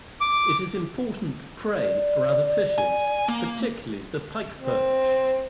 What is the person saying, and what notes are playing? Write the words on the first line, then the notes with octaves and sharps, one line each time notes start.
It is important prey for other fishes, particularly the pikeperch.
D6
D5
G#5
A#3
C4